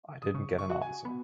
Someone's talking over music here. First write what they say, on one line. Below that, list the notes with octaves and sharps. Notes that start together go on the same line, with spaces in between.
I didn't get an answer.
D#6
C#3 C#6
C#6
F#4 F#5
G#5
B3 B5